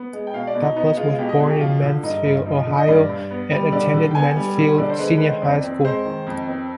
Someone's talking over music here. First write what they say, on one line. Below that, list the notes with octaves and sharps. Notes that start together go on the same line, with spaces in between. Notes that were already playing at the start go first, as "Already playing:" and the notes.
Douglas was born in Mansfield, Ohio and attended Mansfield Senior High School.
Already playing: B3
G#3
G5
B2 F5
D5
B2
D#4
B3 D#4
G#3 F4
F4
B2 G4
D#5
B2 G#4
G4
F3 F4
D3
G2 D#4
G2
F3 D#4
D3
D#5
G2 D5
G2
B3
G3
D3 D5
D3
G5
B3 G#5
G3
D3
D3 D5
C5
G#3 B4
D#3 B4
C5
F2 D5
C4
G#3 C5
D#3
F2
C4